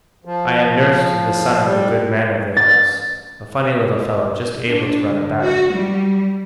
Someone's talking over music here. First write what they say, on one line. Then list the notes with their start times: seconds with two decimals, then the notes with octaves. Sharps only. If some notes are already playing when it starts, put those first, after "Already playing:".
I am nurse to the son of the good man of the house, a funny little fellow just able to run about.
0.25 F3
1.64 G3
2.57 A6
4.67 D4
5.09 D3
5.42 F#4
5.73 G3